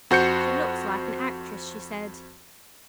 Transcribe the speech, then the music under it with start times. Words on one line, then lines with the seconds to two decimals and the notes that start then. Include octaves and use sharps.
"She looks like an actress," she said.
0.11 F2 F#4 C5 G6 C#7